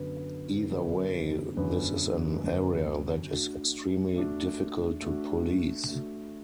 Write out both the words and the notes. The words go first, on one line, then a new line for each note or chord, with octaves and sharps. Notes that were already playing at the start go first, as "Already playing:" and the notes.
Either way, this is an area that is extremely difficult to police.
Already playing: F#2 D3 B3 D4 B4
F#2 D3 B3 D4 B4
F#2 D3 B3 D4 B4
F#2 D3 B3 D4 B4
A3 D4 F#4
A3 D4 F#4
A3 D4 F#4
A3 D4 F#4